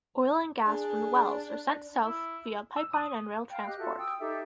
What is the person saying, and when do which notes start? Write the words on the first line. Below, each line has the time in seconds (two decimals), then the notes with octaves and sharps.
Oil and gas from the wells are sent South via pipeline and rail transport.
0.65 D4 G#4
2.05 E4
2.77 E6
2.93 D#6
3.50 F5 G5
3.66 G4 D#5 F#6
3.80 F4 F#4 A4 E5
3.98 G5 D#6 E6
4.20 D#4 G4 A4 E5